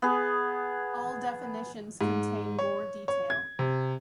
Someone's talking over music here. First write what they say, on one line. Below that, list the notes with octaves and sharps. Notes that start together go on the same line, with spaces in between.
All definitions contain more detail.
B3 G#4
G#2
C#5
C#5
G#6
C3